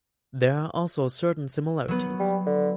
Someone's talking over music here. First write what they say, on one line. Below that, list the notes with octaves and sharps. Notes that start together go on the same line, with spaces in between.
There are also certain similarities.
F#3 B3
G3
D3